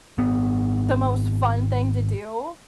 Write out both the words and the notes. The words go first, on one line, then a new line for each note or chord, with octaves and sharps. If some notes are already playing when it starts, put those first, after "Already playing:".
the most fun thing to do,
G#1 B3